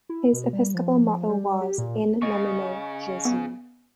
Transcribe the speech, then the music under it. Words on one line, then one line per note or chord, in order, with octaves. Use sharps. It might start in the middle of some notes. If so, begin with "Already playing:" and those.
His episcopal motto was "In nomine Jesu".
E4
B2
G3
F3
G3
G4
A#2
C#3 D#5 C#6
B3